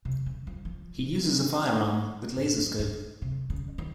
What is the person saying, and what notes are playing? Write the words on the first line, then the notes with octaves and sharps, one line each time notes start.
He uses a firearm, with laser scope.
C3
C#3
F3
F3
G#2
F#2
G#2
C3
C#3
D#3